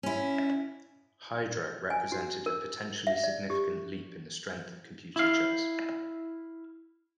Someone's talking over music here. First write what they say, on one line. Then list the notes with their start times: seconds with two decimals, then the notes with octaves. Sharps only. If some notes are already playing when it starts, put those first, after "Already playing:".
Hydra represented a potentially significant leap in the strength of computer chess.
0.03 C#4 E4
1.90 G#5
2.12 F#4
2.46 A#4
3.07 E5
3.23 D5
3.50 G4
5.16 E4 F5